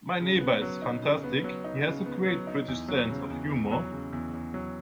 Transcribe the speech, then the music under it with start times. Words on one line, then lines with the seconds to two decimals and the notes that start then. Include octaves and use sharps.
My neighbour is fantastic; he has a great British sense of humour.
0.20 C#3
0.41 B3
0.61 F#3
0.82 D#4
1.03 C#3
1.24 B3
1.44 F#3
1.64 D#4
1.86 C#3
2.06 B3
2.26 F#3
2.47 D#4
2.68 E2
2.88 F#3
3.09 C#3
3.30 E2
3.51 E2
3.71 F#3
3.92 C#3
4.13 E2
4.33 E2
4.54 F#3